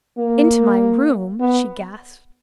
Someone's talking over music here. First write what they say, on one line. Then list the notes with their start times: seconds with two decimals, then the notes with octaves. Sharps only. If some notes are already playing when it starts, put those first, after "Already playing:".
"Into my room?" she gasped.
0.18 A#3
1.40 B3